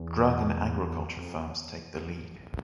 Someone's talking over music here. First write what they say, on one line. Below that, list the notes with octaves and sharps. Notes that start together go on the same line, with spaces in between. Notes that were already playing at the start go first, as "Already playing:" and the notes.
Drug and agriculture firms take the lead.
Already playing: E2
F2